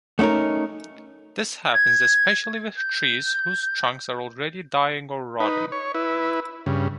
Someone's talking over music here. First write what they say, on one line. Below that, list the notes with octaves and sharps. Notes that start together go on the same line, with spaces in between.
This happens especially with trees whose trunks are already dying or rotting.
A3 B3 C#4 D#4 A#4
G#6
G6
D#4 B4
C#5
E4 B4
G2 C#3